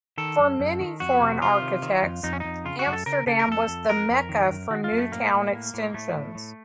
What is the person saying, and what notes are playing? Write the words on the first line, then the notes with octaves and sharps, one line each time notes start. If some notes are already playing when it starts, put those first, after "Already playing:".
For many foreign architects, Amsterdam was the "Mecca" for new town extensions.
D#3 A4
F#2
F#2
D#3
F2 F#4
C3
C3 F4
D#3
D#3
F2
F2 D#4
C#4
F2 D#4
C#3 F4
F#4
F#2
A4
C#3 A#4
C#3 A4
A#4
F2 A4
F2
F2 A#4
F2
D#3
F#2
D#3 F#4
F4
F#2
A3
A2 A#3
A2
A2
A2
A2 A3
A2
A2